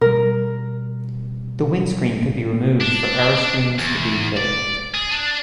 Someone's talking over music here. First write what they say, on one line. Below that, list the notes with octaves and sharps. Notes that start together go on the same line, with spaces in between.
The windscreen could be removed for aeroscreens to be fitted.
B2 G3 A#4
D4
E2
D5
G#4
D4